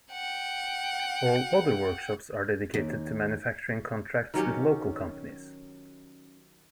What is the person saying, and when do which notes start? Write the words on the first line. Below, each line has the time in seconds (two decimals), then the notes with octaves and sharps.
All other workshops are dedicated to manufacturing contracts with local companies.
0.11 F#5 G5
2.74 D#2
4.34 D#3 F#3 C#4 G4